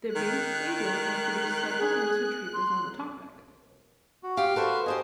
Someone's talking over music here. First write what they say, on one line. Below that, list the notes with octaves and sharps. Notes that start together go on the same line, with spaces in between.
The Bank of England has produced several research papers on the topic.
D#3 F#6
G#4
C6
F#4
G4 F5
F#4 A4 B4 C5 E5
G4 G#4 C5 D#5 G#5